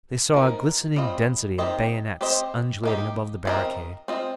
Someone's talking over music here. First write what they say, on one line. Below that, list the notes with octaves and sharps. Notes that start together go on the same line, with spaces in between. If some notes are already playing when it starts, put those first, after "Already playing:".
They saw a glistening density of bayonets undulating above the barricade.
F3 A#3 D#4 A#4
G3 C4 F4 D#5
D#3 C4 G4 C5 D#5
C4 G4 C5 D#5
A#3 D#4 G4
F3 C4 F4 A#4 D#5
C4 F4 D#5